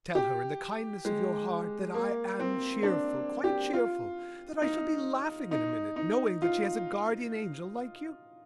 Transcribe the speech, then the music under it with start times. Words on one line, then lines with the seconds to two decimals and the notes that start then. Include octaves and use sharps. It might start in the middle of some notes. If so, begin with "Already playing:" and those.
Tell her, in the kindness of your heart, that I am cheerful, quite cheerful, that I shall be laughing in a minute, knowing that she has a guardian angel like you.
0.15 G4
1.05 G#3
1.94 A#3
2.40 C4
2.83 D4
3.44 G4
3.73 F4
4.62 D#4
5.51 D#4
5.96 D#4
6.42 F4